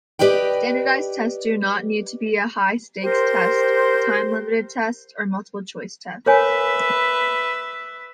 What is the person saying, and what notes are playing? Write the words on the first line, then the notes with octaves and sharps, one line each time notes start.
Standardized tests do not need to be high-stakes tests, time-limited tests, or multiple-choice tests.
G4 B4 D5 D#5 G5
G4 A#4 C5
A#4 B4 C#5 E5 G#5